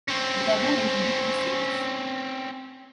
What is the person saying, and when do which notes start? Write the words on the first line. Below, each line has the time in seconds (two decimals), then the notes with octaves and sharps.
The turbine included two stages.
0.08 C4 C#4